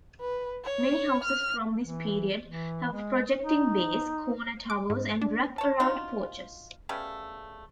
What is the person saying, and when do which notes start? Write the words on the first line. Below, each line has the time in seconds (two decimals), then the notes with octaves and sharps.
Many houses from this period have projecting bays, corner towers, and wrap-around porches.
0.20 B4
0.64 C#5
1.24 F6
1.80 E3
2.45 E3
2.93 G#3
3.43 D#4
4.70 D6
4.90 G#2
5.22 D4
5.58 C#5 A5
5.80 D4 D#4 F4 F#4
6.89 C#3 G3 A3 B3